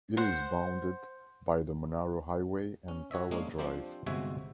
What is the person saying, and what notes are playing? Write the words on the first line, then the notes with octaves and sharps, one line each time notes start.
It is bounded by the Monaro Highway and Tharwa drive.
C5 F#5
C#4
F#4 C#5 D#5 E5
G#3 A#3 C#4 D4 G#4
F3 C4 D4 G4 C5
G1 C3 G#3 F#4 E5 G#5